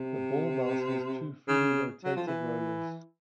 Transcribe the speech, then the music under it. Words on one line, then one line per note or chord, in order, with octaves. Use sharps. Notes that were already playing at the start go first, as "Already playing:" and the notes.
The ball mouse has two freely rotating rollers.
Already playing: C3
C#3
F#3
F3
E3